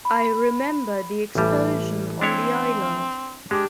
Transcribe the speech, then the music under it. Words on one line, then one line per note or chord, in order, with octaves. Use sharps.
I remember the explosion on the island.
B5
A1 E3 G3 A3
C4 D4 E4 C#5
G#3 D4 G4